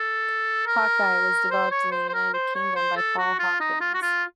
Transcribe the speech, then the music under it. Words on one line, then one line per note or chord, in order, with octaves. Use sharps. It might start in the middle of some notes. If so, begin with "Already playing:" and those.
Hawk-Eye was developed in the United Kingdom by Paul Hawkins.
Already playing: A4
A#4
C5
C#5
C5
C5
A#4
C5
C#5
C5
A4
F#4
F4
D#4
F4
F#4
F4